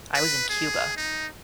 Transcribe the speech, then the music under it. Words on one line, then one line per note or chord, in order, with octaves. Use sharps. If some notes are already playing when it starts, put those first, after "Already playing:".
I was in Cuba.
B4
G#4
D#4